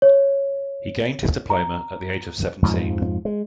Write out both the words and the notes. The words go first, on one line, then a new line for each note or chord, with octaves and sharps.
He gained his diploma at the age of seventeen.
C#5
A#5
F2 G#2 F3
G#3